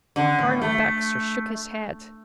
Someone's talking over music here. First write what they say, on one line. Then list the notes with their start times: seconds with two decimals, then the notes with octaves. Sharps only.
Arnold Baxter shook his head.
0.16 D3
0.39 A2
0.62 A3